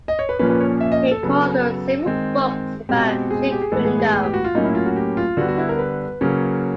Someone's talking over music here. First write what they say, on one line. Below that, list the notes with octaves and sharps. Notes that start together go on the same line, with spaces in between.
He coauthored several books about Jeet Kune Do.
D#5
C#5
B4
A#2 F3 A#3 C#4 B4
B4
C#5
E5
D#5
A4
C#3 F#3 B3
D#3 G#3 C4
B2 G#3 C4 G4
G#4
G4
G#4
A2 E3 G#3 B3 A4
G#4
G#4
G#4
G4
F#4
F4
A2 F#3 A#3 C#4 D#4
E4
F4
F#4
G4
F4
D3 G3 B3 F#4
F#4
E4
A#4
B4
C#3 F#3 A#3 C#4